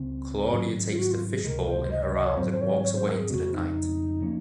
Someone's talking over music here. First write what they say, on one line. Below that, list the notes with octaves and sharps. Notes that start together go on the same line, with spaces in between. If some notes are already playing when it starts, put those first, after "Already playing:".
Claudia takes the fishbowl in her arms and walks away into the night.
Already playing: C#2 C#3 C4
G#2 D#3 F#3 C#4
F4
F#4
F4
G#4
C#2 C3 D#3 G#3 A#4
C5
D#5
C#5
D#5
C#5
G#2 D#3 F#3 C4 C5
C5
C#5
C#5
C5
A#4
G#4
F2 C#3 G#3 C4 F#4
D#4
F3 A#3 C#4